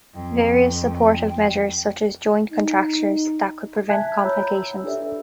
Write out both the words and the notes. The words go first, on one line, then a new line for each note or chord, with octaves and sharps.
Various supportive measures such as joint contractures that could prevent complications.
F2 G5
D#4
E5 G#5 A5 F#6 G#6 B6
C#5 A#5 B5 E6 G6
E6
D4 G4 A4 B4 D5 E5